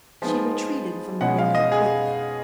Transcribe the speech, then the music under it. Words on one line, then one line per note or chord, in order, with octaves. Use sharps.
She retreated from the window quickly.
F3 G#3 B3 D#4
B2 G#3 C#4 F#5
F5
D#5
G#4